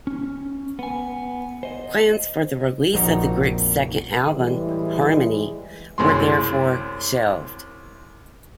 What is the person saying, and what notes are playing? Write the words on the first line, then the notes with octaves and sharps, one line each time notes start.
Plans for the release of the group's second album "Harmony" were therefore shelved.
C#4
B3 G#5
C5 D#5
A#1 F2 C4 D#4 F#4 A#5
A2 E3 G3 G#3
C2 F#2 G#3 C6